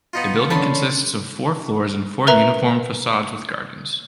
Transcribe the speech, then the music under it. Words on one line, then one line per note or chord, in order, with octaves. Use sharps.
The building consists of four floors and four uniform facades with gardens.
B3 D#4 F4
D3 C#4 A4 B5 C6
A#4 B4 E5 A#5